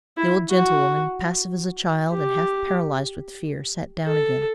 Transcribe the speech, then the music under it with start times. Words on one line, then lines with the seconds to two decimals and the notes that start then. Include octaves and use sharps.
The old gentlewoman, passive as a child and half paralyzed with fear, sat down again.
0.17 E4
0.50 F#4
2.12 G4
4.05 A4